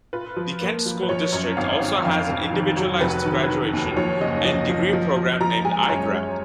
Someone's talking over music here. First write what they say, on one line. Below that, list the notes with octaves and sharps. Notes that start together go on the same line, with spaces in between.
The Kent School District also has an individualized graduation and degree program named iGrad.
F4 B4
F3
A#3
F3
B4
F3 C#5
F#2 C#5
G#1 F5
G#1
F2 F5
F1
D#3
F#3
F1 B4
D#3
D#3
D#2
F3 C#5
F#1 D#5
F3 D#5
F3
F3
F3
F3 A#5
G#3 G#5
F#2 C#5
G#3